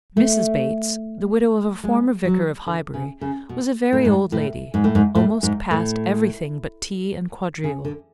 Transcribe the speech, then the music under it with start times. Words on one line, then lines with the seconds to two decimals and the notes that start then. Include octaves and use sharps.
Mrs. Bates, the widow of a former vicar of Highbury, was a very old lady, almost past every thing but tea and quadrille.
0.17 A3
1.84 G#3
2.25 F#3
2.66 D3
2.94 C#3
3.21 C#3
3.49 B2
3.93 A2
4.05 G#2
4.32 A2
4.74 G#2
4.84 A2
4.95 G#2
5.15 A2
5.43 G#2
5.71 A2
7.64 C#3
7.85 D3